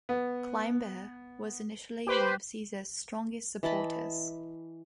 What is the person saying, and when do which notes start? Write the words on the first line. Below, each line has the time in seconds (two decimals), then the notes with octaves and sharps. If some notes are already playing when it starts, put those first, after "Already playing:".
Cimber was initially one of Caesar's strongest supporters.
0.09 B3
2.07 G4 B4 C5
3.63 E3 D#5 A5 B5